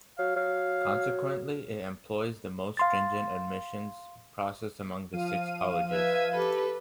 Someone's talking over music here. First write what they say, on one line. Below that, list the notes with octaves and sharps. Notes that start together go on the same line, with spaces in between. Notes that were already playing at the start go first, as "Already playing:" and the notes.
Consequently, it employs the most stringent admissions process among the six colleges.
F#3 F5
F#3 F5
F5 C6 A6
F3 F5 D#7
B4 E5 G#6
G4 A4 B4